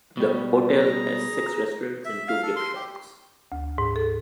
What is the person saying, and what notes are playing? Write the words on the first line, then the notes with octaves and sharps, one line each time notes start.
The hotel has six restaurants and two gift shops.
B2 G3
G#4 A#5
E5
F5
A4
C6
G4
D2
G#2
A4